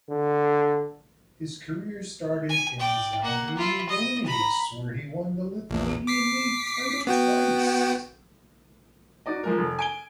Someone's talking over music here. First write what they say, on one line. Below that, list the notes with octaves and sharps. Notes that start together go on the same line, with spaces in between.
His career started in Zalgiris Vilnius, where he won the Lithuanian league title twice.
D3
G#5
D5 G5
A#3 F#5
E4 F4
D#5
A#5 B5
A#1 E2
D6 B6 C7
B3 F#4 G5
D#4 F#4 D5 D#5
F3 G#3 A#4
F1
G#5 D7 G7